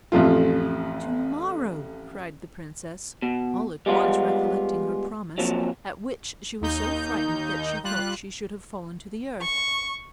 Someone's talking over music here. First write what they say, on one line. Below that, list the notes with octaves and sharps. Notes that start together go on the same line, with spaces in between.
"To-morrow!" cried the princess, all at once recollecting her promise; at which she was so frightened that she thought she should have fallen to the earth.
A1 F2 A3 F4
B2
G3 G#3 B3 F4
F2 A#2 F3 F#3
D#2 D#4 G6
G3 F4 F#6
C#6